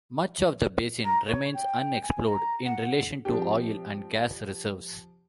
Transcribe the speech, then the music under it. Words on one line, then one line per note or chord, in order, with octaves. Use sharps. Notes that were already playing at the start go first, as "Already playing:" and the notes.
Much of the basin remains unexplored in relation to oil and gas reserves.
A#5
C#5
G5
G#5
A#5
F#5
F3 C4 D4 G4